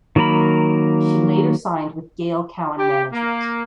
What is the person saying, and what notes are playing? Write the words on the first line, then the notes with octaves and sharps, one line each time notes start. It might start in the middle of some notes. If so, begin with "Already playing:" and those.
She later signed with Gail Cowan Management.
D#3 F#3 A#3 A#4 B5
G4
A#3